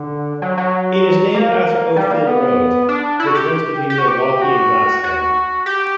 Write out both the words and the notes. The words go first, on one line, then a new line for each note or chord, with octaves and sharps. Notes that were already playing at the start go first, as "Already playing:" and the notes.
It is named after Oatfield Road, which runs between Milwaukie and Gladstone.
Already playing: D3
F#3
F#3
A#3
G3
A#3
B3
D4
E4
F#4
G4
G4
F#4
G4
F#4
F#4
G4